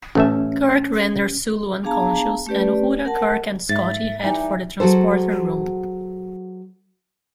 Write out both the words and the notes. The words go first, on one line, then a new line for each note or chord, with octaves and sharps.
Kirk renders Sulu unconscious, and Uhura, Kirk, and Scotty head for the transporter room.
A1 A3 C#4 E5
B3 D4 G#4 F5 A5 A#5
A3 C#4 G4 B4 D5
A#4 F#5 A5
G#2 E5 A6
E3 G3 D#4 A#5
F#3 F#4 G#4 A4 C5